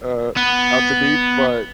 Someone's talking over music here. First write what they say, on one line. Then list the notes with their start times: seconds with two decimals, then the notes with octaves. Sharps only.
uh, out to be, but
0.37 B3